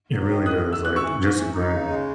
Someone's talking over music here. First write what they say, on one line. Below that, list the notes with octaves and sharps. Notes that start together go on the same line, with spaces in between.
It really does, like, just grinding.
F#3
D#3
F#2 D#6 F#6
F#2
E6
F#2 F#6
E3 C#6 E6
G#2
E3
D#4
C#3
G#3